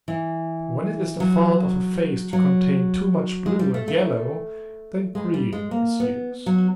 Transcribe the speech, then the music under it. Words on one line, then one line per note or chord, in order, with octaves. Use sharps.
When it is the fault of a face to contain too much blue and yellow, then green is used.
E3
F#3
F#3
G#3
G3
A3
A3
G#3
G3
G#3
A#3
B3
F#3